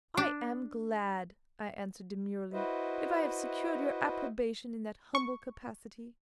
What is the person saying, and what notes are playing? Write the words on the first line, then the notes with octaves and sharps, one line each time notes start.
'I am glad,' I answered demurely, 'if I have secured your approbation in that humble capacity.
D4
E4 F#4 B4 C5 D#5 E5
C#6